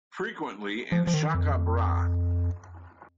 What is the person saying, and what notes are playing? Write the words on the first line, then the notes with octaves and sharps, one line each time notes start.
Frequently in 'shaka brah'.
F3
F3
D#3
F2